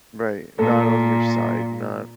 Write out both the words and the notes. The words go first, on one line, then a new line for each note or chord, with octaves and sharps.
Right, not on your side, not
A#2 A4